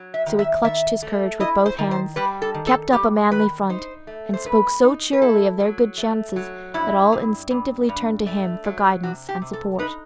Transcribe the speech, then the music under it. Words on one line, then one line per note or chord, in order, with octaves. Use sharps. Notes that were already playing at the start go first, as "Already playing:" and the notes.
So he clutched his courage with both hands, kept up a manly front, and spoke so cheerily of their good chances, that all instinctively turned to him for guidance and support.
Already playing: F#3
E5
D#3
E5
D#3 E5
A3
E4 D#5
C5
D#3
C5
G3 B4
A4
D#3
A4
G3 G4
D#3 B4
D#4 C5
A3
C5
G2 B4
D#4
B4
E4 A4
F#3
A3
F#3
G2 E4
G2
G2
G2
A3
F#3
C3 F#4
G4
C3
A4
D#4 B4